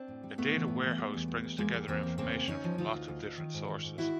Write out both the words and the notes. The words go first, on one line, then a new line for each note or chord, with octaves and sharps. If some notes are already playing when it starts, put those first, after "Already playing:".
A 'data warehouse' brings together information from lots of different sources.
Already playing: C4 D4
A2
G3
A2 A3 B3
E3
A2
E3
G3
E2
G3
E2
E2 G#3 A#3
G3
E2 A#3 C4
E2
C#3 A#3 C4
C#3
D2 C#4 D#4
F3
D2 D#4 F4
D2
D2
D2
D#3
G#2
D#3
G#2
D#3 E4 F#4